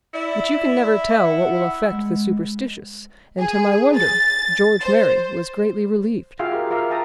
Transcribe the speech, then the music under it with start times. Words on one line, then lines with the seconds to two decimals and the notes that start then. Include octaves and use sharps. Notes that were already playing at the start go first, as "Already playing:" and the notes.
But you can never tell what will affect the superstitious, and to my wonder, George Merry was greatly relieved.
0.14 E4 D5
1.25 F#5
1.92 G#3
3.38 G#4
3.95 A6
4.82 C5
6.39 F4 F#4 G#4 E5 F5 G5
6.51 G4 A#4
6.70 F4 A#4 E5 F5 D6
6.90 E5 G5 A5 A#5 D#6